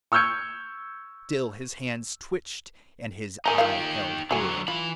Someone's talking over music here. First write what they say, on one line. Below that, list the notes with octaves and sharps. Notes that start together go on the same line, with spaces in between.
Still his hands twitched and his eye held her.
C#6 E6 F6 G6 G#6 C#7
D#4 G4 A#4 G#5 A#5
F4 A#4 F5
D3 F#3 F#4 G#5
E3 F4 B5